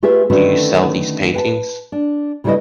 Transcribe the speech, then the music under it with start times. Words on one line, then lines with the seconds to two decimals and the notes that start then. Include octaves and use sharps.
Do you sell these paintings?
0.03 A3 F4 G4 G#4 B4 E5
0.30 D3 D#3 A3 C#4 F#4 B4
1.34 B4 G5 A5
1.92 D4
2.44 C#3 G3 A3 E4 B4 D#5